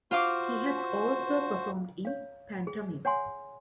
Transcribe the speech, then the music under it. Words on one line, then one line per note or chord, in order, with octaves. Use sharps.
He has also performed in pantomime.
F4 F#4 C5 F5 D6
C#5 F5
G#4
C#5 F#5 G#5 C6